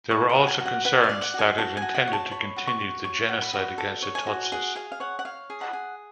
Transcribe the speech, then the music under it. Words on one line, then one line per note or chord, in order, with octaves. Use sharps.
There were also concerns that it intended to continue the genocide against the Tutsis.
D5 C#6
A5
F#4
G#5
F#4
F#5
B4 F#5
F5
D5
F#5
F#4
G#5
F#4 A5
G#5
F#4
F#5
C#5
A5
C#5 B5
F#4
C#6
F#4
C#5 C#6
F#4
B5
F#4
A4
C#5
G#5
F#4
G#4 F#5
G#4 F5
F5
C#5 F#5
F#5
C#5 F5
G#4
F#5
G#4